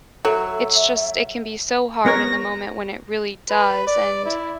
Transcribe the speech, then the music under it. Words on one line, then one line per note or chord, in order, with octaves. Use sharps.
It's just it can be so hard in the moment when it really does, and,
F#3 A4 E5
B3 A#4 C#5 A#6
B4
D5
E4